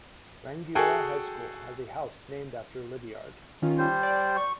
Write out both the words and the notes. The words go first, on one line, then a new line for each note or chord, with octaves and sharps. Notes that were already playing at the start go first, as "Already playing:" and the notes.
Rangiora High School has a house named after Lydiard.
F#4 G#4 A4 G5 G#5
D#3 C#4 F4
G3 C5
D5
C#6